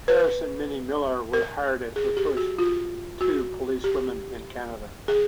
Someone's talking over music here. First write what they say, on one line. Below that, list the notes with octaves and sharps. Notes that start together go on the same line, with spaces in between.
Harris and Minnie Miller were hired as the first two policewomen in Canada.
B4
A#4
G#4
G4
F#4
F4
F#4
G4
G#4